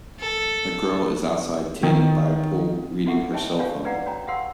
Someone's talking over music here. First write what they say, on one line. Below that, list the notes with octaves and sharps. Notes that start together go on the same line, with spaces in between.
A girl is outside tanning by a pool reading her cellphone.
A4
D#3
E4 F#4 A4 E5 F#5 C#6
G#4 C#5 D#5 E5 G5 A5
D4 F#4 G4 C#5 F5
G#4 B4 D5 F5 F#5 A#5
D4 F#4 C#5 G5 A#5
G4 G#4 F5 F#5 C6 E6